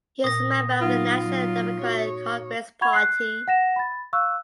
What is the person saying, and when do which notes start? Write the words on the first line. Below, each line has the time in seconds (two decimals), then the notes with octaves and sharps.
He is member of the National Democratic Congress Party.
0.24 A#2 D#6 A#6
0.81 F#3 B3 D#4 F4 F#5
1.24 F#3
1.82 F#4 C#5
2.81 F#5 B5 C#6 G#6 F7
2.93 F#6 C7
3.48 F#5 A#6 E7
3.76 B5 A6
4.13 F5 C#6 E6 F#6